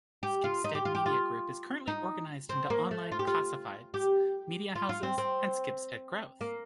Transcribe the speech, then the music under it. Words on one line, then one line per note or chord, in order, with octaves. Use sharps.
Schibsted Media Group is currently organized into Online Classifieds, media houses and Schibsted Growth.
G4
F4
D#4
G4
F4
G4
F4
D#4
C4
A#3
A3
F4
G4
F4
G4
F4
F4
C4
C4
A#3